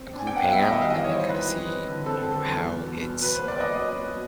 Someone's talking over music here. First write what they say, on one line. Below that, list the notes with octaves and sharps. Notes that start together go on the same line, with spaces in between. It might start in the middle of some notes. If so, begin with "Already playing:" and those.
a group hangout and then kinda see, you know, how it's, um,
Already playing: C4
D4
G#5
G5
B3 F#5
F5
G3 E5
D#5
D#3 E5
F5
E3 D#5
C#5
G3
C5
E3 B4
E3
C4
D3
C4 A4
D3
A4
E2
E2
B2
B2
F#3 B4
C5
A#3
D5
F#3 D#5
C#4
B2